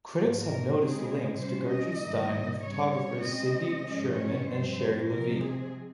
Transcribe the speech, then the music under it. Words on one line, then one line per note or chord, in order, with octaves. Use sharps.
Critics have noticed links to Gertrude Stein and photographers Cindy Sherman and Sherrie Levine.
G#2 F3 A#3
A#4
C#3 G#3 C4 G#4
F2 C3 G3 C#4 C5
D#5
G#2 D#3 G3 A#3
C#3 G3 C4 C#5
C#5
C#3 G#3 C4 D#5
G#2 F3 G#3 C#4
C#5
G2 F3 G#3 C4 C5
C3 F3 G#3 C4 A#4
G#4